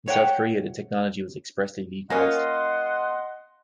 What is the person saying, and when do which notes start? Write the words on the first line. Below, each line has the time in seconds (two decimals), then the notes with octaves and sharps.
In South Korea, the technology was expressly legalized.
0.08 C#5 E5 F#5 G5
2.10 A#3 C#4 F4 D#5 F#5 C6